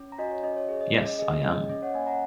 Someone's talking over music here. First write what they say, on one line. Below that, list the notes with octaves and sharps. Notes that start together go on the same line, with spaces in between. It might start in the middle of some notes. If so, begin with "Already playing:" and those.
Yes, I am.
Already playing: C#4
A#5
F#4 D#5 G#5
C#5
C#4 D#5
C#5
G#4 C#5
D#5
C#4 D#5
D#5
G#4 D#5
D#5
C#4 D#5
C#4 D#5
C#5 F#5
A#3 D#5 G#5
F#5 A#5